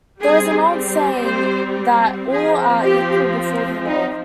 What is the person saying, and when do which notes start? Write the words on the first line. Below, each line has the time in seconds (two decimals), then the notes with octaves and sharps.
There is an old saying that 'All are equal before the law.
0.21 G3 C4 G#4
1.26 C5
2.30 F3 C4 G#4
2.83 G4
3.87 D#4